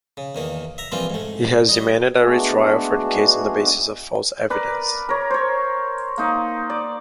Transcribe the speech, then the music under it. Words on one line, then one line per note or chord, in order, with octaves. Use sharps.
He has demanded a retrial for the case on the basis of false evidence.
C#3
E2 D#3 A#3
E5 A#5
E3 F3 G3 A#3 C4 F4
G#2 A3
G3 D#4
G#3 A3 B3 D4 F#4 G#4
A#4 B4 D5
A#4 C#5
C5 C#5
A#3 D#4
D5